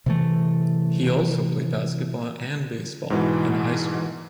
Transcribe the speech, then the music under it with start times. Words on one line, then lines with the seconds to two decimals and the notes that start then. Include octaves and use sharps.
He also played basketball and baseball in high school.
0.06 C3 E3 A3
3.10 G#2 B2 E3